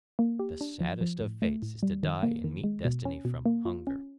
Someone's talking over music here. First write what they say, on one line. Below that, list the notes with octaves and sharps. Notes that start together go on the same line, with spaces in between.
'The saddest of fates is to die and meet destiny from hunger?'
A#3
G4
D4
F3
F3
A2
A3
A2
G3
D#3
A#3
D#3
G#3
B2
C#4
B2
A#3
F4
C#4